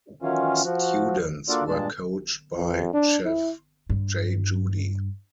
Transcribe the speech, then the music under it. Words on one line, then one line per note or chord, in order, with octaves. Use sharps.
Students were coached by Chef Jay Judy.
D#3 E3 F#3 C#4 F4
F3 F#4
A#3 D4 F4 F#4 A4 D5
G2 A#2 G#3 D4 A5
F2
D4
E4
G2